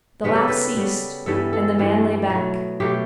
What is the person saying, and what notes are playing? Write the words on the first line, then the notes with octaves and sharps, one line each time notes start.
The laughed ceased, and the man lay back.
C#3 G3 B3 B4
A4
B4
C#3 G3 B3
G2 E3 G3 B3 A4
A4
G2 E3 G3 B3
B2 F#3 A3
B2 F#3 A3 G4